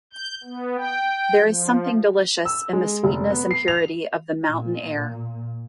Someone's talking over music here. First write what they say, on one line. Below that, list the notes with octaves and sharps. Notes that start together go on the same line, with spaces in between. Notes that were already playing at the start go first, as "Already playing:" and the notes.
There is something delicious in the sweetness and purity of the mountain air.
G6
B3
G5
F3
E6
G#3
F1
B3
C7
F7
A#2